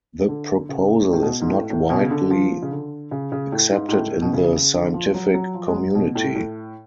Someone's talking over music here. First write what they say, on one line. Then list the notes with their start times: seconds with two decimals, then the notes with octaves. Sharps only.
The proposal is not widely accepted in the scientific community.
0.28 D3
0.69 C#3
1.13 A2
1.22 B2
1.41 G#2
1.50 A2
1.70 A2
1.90 B2
2.01 C#3
2.10 D3
2.31 F3
2.62 C#3
2.71 D3
3.11 C#3
3.32 C#3
3.52 A2
3.72 G#2
3.88 G#2
3.92 A2
4.22 B2
4.33 C#3
4.74 D3
4.94 F3
5.14 F#3
5.34 F#3
5.54 F3
5.68 G#3
5.74 F#3
5.95 B2
6.15 A2
6.36 A2